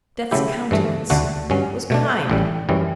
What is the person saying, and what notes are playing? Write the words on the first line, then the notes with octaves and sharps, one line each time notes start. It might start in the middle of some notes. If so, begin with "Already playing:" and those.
Death's countenance was kind.
C#3 F#3 A3 E4 G4
G2 E3 A3
D2 D3 A3 D4 F#4
G2 F#3 C#4
B2 A3 D4
A1 A2 G3
F#2 E3 G3 C#4